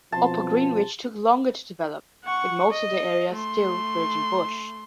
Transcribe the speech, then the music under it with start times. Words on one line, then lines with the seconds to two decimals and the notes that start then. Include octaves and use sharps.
Upper Greenwich took longer to develop, with most of the area still virgin bush.
0.12 B2 F3 C4 A5 C6
2.24 F#5 C#6
2.71 D#5
3.34 A3 C6